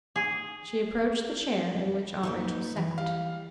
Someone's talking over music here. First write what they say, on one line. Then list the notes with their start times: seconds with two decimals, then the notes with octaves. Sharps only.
She approached the chair in which Aunt Rachel sat.
0.16 G#4
2.23 A#3 B3 D#4
2.76 E3
2.98 G3 F5